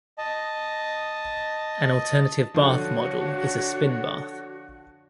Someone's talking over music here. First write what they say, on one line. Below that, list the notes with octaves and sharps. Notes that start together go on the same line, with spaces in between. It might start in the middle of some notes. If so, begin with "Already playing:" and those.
An alternative bath model is a spin bath.
D#5 A5
D3 F3 D4 F#4 C#5